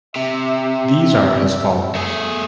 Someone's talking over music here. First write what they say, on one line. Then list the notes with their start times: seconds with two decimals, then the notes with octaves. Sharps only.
These are as follows.
0.16 C3 E5
1.95 A3 G#4